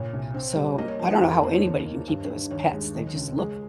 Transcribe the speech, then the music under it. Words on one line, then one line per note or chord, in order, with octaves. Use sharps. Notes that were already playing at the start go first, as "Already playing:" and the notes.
So, I don't know how anybody can keep them as pets. They just look,
Already playing: A#2 C#5
C2
C4
G3
A#3 D#5
C#5
F3 C5
G#4
F2 G4
A#4
A#3 C5
C#5
D#2
D#3
G2
G2
D#2 C#5
G#3
D#3
C#2
G#3